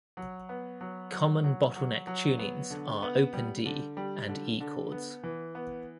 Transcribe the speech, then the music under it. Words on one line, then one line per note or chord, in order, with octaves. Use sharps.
Common bottleneck tunings are open D and E chords.
F#3
B3
F#3
F#3
F#3
F#3
F#3
B3
D3
B3
G3
D3
G3
D3
D3
B3
E3
B3